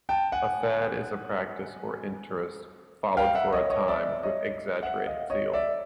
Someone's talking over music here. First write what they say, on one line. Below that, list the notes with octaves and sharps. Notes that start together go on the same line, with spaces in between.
A fad is a practice or interest followed for a time with exaggerated zeal.
G5 A5
F#5 G#5
F5 G5
E5 F#5
C#5 D#5
C#5 D#5
D5 E5
C#5 D#5
E5 F#5
D#5 F5
C#5 D#5
D5 E5